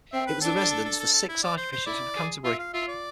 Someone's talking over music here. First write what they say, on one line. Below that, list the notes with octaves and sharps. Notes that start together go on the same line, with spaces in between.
It was the residence for six Archbishops of Canterbury.
C4 E5
B4
D4 A4
A4
A4
A4
A4
A4
E4
D5
C5
C5
E4 D5
G#4
F4 E5
F5
F4 E5
D5